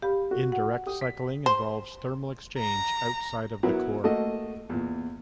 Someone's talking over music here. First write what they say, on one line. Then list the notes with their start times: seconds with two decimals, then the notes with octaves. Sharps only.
Indirect cycling involves thermal exchange outside of the core.
0.02 G4 F5 B5
0.31 F#4
0.52 F#5
0.86 G4 G5 D#6
1.01 B6
1.46 C5
2.58 A#5
3.63 F#3 B3 E4 A#4 B4
4.04 A3 A#3 F#4 A4 D#5
4.69 E2 A#2